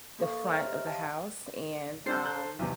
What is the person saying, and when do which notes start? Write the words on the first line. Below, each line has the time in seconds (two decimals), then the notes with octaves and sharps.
the front of the house, and, um,
0.19 A#3 A4 F5 C#6
0.50 C5 C#5 E5 A#5 F6
0.67 G4 D#5
0.87 F5 A5
2.06 G3 C4 D4 A4 C5
2.24 A#5 F#6 G6
2.59 B1 E2 C3